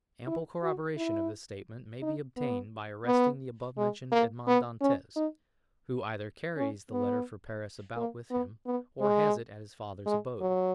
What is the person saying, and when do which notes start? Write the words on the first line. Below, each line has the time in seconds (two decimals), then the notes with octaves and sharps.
Ample corroboration of this statement may be obtained by arresting the above-mentioned Edmond Dantes, who either carries the letter for Paris about with him, or has it at his father's abode.
0.27 E4
0.63 F#4
0.97 E4
2.02 D#4
2.37 B3
3.06 B3
3.77 G#3
4.12 A#3
4.47 B3
4.81 C#4
5.16 D#4
6.57 C#4
6.91 B3
7.96 A#3
8.31 B3
8.66 B3
9.01 G#3
10.06 G#3
10.41 F#3